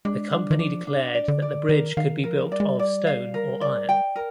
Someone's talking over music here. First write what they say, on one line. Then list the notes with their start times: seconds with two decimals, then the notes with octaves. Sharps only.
The Company declared that the bridge could be built of stone or iron.
0.05 G#3 D4
0.32 G3 D4
0.51 D#3
0.59 F3 D4
0.87 D4
1.15 D5
1.28 D3
1.42 D5
1.69 D#3 A#4
1.97 D#3 F5
2.24 F3 A#4
2.52 G3 D5
2.60 G#3
2.68 G3
2.79 D5
3.07 F5
3.34 A#4
3.61 D5
3.89 G5
4.16 A#4